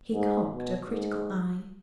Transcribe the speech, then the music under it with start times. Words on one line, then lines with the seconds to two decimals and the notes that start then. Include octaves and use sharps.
He cocked a critical eye.
0.14 G#2
0.50 B2
0.88 G#2